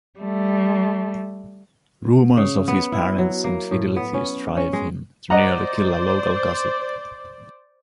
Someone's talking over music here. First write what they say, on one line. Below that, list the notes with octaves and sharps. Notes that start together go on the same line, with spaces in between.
Rumors of his parents' infidelities drive him to nearly kill a local gossip.
G3 A3
C#3
B3
E4
F#3
A#3
A2
B3
C#4
C#4
G#3
C5 D5 D#5 F#5 A#5